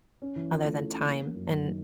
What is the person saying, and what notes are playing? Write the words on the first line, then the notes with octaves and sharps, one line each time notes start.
other than time, and,
C#4
E3
F4
A3
E3
C#4
A#3
A#3
F#2
F#2
D#3